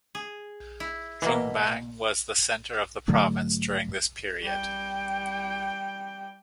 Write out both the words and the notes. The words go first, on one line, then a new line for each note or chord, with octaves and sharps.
Jungbang was the center of the province during this period.
G#4
E4
B2 E3 A#3
G#2 D3 F#3 A3
G3 G5